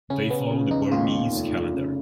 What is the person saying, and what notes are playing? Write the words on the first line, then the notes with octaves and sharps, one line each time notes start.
They follow the Burmese calendar.
C#3 C#4
B3
C#3
D#4
D#2 F4
F1
C#3